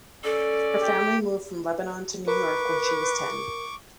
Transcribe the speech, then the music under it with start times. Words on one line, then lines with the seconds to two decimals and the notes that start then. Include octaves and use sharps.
Her family moved from Lebanon to New York when she was ten.
0.24 C#4 A4 D5
0.83 G4
2.28 A#4 B4 C#6 D6